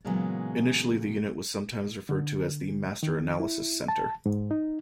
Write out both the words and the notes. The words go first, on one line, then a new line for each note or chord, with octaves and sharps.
Initially the unit was sometimes referred to as the Master Analysis Center.
A#2 C#3 E3 F#3 G#3 B3
D3
D#3
E4
A5
G#2
D#4